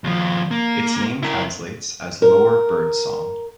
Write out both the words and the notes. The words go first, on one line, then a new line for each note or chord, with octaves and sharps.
Its name translates as lower bird song.
D#2 F3
A#3
E4 A#4
A#4